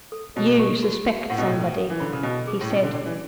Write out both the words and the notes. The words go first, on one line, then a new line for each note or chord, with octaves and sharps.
"You suspect somebody," he said.
A4
B2 C#5
C#6
F#4
F#4
A2 F#5
B2
A2
C#5
A4
E3
D3 B5
C#3
B2 C#4
G#4
A2
B2 C#4
D3
D3 C#4
E3